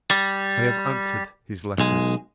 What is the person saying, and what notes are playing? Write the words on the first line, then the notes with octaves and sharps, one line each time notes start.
I have answered his letters.
G3
B1 G#3